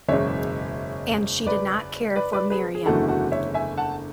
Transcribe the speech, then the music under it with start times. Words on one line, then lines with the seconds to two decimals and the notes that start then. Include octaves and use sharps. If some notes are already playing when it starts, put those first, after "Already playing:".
And she did not care for Miriam.
0.08 F#1 E2 B2 G#3 C#4 C#5 E5
1.47 B4 D5
2.16 B4 D5
2.33 B4 D5
2.50 G#4 B4
2.75 G#4
2.85 F#1 E2 D3 A3 E4 F#4 A4
3.08 F#4 A4
3.32 C#5 E5
3.54 E5 G#5
3.77 F#5 A5